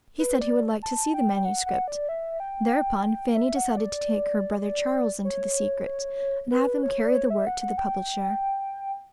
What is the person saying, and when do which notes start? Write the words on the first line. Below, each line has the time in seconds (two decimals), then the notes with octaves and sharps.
He said he would like to see the manuscript. Thereupon Fanny decided to take her brother Charles into the secret and have him carry the work to the publisher.
0.19 B4
0.41 D5
0.83 A5
1.14 G5
1.45 F#5
1.66 F#5
1.88 D5
2.09 E5
2.40 G5
3.35 E5
3.56 F#5
3.77 D5
5.25 C#5
6.51 B4
6.83 C#5
7.05 D5
7.14 C#5
7.30 E5
7.47 F#5
7.61 F#5
7.78 G5